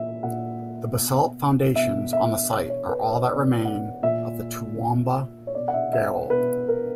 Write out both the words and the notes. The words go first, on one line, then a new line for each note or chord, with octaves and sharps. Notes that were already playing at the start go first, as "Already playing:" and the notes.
The basalt foundations on the site, are all that remain of the Toowoomba Gaol.
Already playing: A#2 E5
A#2 F#5
B2
B2 E5
E5
B2 C#5
C#5
B4
C#5
B2 D5
F#5
A#2 E5
A#2
C#5
B2 D5
F#5
E5
E5
B2 B4
A#4